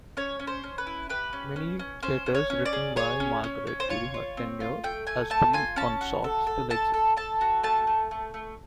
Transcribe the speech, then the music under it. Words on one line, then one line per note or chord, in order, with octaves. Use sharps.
Many letters, written by Margaret during her tenure as queen consort, still exist.
C#4 C#5
C#4
C5
C#4
B4
E4
G4 B4
C#4
C#4
C#4
C#4 C5
C#4
C#5
C#4
D5
G#4
G#4 C#5
C#4
C#4
C#4
C5
F4 C#5
F4
C4
F4
A3 G5
A3 G#5
A3 A5
F4 G#5
C#4 A5
F#4
A4
A4
A4 A5
A4
A4 A5
F#4
A3 A5
A3
A3
A3